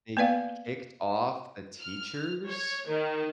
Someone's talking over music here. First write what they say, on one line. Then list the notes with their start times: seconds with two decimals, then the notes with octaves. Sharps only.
They kicked off the teachers?
0.17 A#3 B3 B4 D5 F5
1.79 F6
2.48 C#5
2.88 D#3